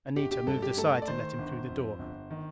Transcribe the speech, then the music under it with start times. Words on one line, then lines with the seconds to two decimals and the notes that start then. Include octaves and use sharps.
Anita moved aside to let him through the door.
0.16 G1 G4
0.31 G4
0.47 G2 A4
0.62 G4
0.77 A3 A4
1.02 D5
1.08 D#3 C5
1.38 G1
1.69 F2
1.99 G1
2.31 D#3